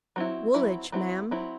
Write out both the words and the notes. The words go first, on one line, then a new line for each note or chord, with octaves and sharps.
"Woolidge, ma'am."
F#3 C4 E4
F#3 C4 E4
F#3 C4 E4
F#3 C4 E4